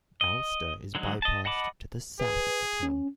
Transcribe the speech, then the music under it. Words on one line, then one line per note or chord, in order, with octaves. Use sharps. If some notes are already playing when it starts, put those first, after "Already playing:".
Alcester is bypassed to the south of the town.
D#5
D3 F#3 G#3 D#4
D#5 A5
D#5 F#5 A5 B5 D6
G#4 B4
C#4